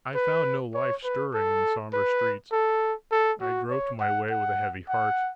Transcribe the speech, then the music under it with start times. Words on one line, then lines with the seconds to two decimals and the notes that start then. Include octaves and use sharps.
I found no life stirring in the somber streets. I groped my way with a heavy heart.
0.15 B4
0.74 C#5
1.04 B4
1.34 A4
1.94 B4
2.52 A4
3.12 A4
3.41 F#4
3.71 C#5
4.00 F#5
4.31 F#5
4.89 F#5